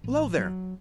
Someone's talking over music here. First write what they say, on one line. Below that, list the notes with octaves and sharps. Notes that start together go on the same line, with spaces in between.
Below there!
A1
F#3